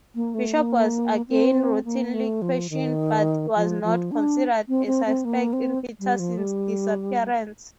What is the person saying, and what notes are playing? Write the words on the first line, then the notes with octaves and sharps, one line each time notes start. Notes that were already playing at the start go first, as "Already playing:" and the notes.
Bishop was again routinely questioned, but was not considered a suspect in Peterson's disappearance.
A#3
A3
A#3
C4
A#3
A3
F3
D#3
F3
F3
D4
C4
C4
C4
A#3
C4
G3
F3
G3